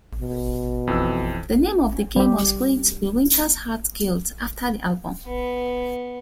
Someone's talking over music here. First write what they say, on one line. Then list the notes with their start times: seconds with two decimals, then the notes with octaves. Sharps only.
The name of the game was going to be "Winterheart's Guild", after the album.
0.19 B2
0.87 F2 E3 E6
2.16 G3 G4
5.27 B3